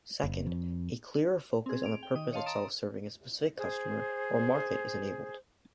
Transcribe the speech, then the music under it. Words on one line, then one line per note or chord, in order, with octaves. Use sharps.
Second, a clearer focus on the purpose itself-serving a specific customer or market-is enabled.
F#1
F2
C4 G#4
D7 F7
G5
D#3 D#6
C#5 D#5 F5 A5 C6
A#5 C6 D#6 A6 D7 E7
G#4 C5